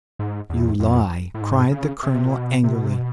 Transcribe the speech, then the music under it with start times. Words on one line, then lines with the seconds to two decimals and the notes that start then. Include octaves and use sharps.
"You lie!" cried the colonel, angrily.
0.19 G#2
0.50 E2
0.80 F2
1.34 A2
1.41 G#2
1.71 C#3
2.03 C3
2.25 A#2
2.33 B2
2.64 C3
2.74 B2
2.84 C3
2.94 B2